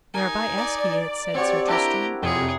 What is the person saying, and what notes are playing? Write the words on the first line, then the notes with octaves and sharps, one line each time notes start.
Whereby ask ye it? said Sir Tristram.
D#4 A#4 G#5
D5
C4 F#4 G4 C#5
D4 E4 G4 A#4 A#5
F2 C3 G#4 C#5 G5